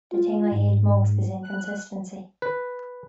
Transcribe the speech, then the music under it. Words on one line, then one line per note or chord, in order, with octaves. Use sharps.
The thing I hate most is inconsistency.
F4
G#2
F#6
B4